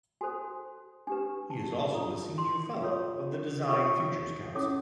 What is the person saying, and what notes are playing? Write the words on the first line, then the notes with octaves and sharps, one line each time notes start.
He is also a Senior Fellow of the Design Futures Council.
F#4 A4 C5 G#5
D4 G4 B4 G#5
A5
D4 F4 A4 A#5
C6
F4 A4 C#5
F4 A4 C#5 C#6
C#4 E4 A4 C#5 D6